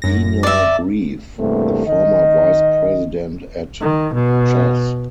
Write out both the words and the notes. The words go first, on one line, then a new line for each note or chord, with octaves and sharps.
Einar Greve, the former vice president at Chas.
F#2 A#6
D5 E5
E2 G2 C3 A3 A#3
D#3 D#5
D#3
B2